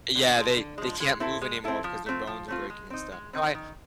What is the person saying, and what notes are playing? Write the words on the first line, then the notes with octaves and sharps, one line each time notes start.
Yeah. They they can't move anymore because their bones are breaking and stuff. No. I
D3
F3 G#3
D3
F3 G#3
G#3
C4 E4 A4
G#3
C4 E4 A4
F3
A3 C4 F4
F3
A3 C4 F4
G#3
C4 D#4
G#3
C4 D#4
D#3